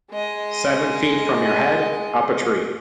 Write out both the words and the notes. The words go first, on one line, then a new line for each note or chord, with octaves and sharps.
Seven feet from your head, up a tree.
G#3 D#5